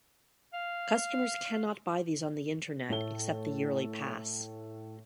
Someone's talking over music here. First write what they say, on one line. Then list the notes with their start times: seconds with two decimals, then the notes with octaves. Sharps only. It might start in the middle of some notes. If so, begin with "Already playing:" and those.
Customers cannot buy these on the Internet except the yearly pass.
0.53 F5
2.89 A2 A3 A4 G7